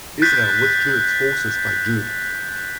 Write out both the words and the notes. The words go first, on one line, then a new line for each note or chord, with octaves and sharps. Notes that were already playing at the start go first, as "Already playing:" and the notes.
Israel withdrew its forces by June.
F#6 G6 A6 B6